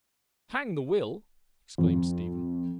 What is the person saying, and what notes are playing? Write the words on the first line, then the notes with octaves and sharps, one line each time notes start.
"Hang the will!" exclaimed Stephen.
F2